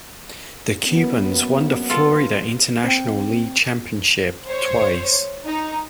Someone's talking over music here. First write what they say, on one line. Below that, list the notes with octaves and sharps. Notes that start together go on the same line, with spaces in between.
The Cubans won the Florida International League championship, twice.
F#2 A#3 B3
F4 A4 F5
C4 G5
C5 C#5
D#4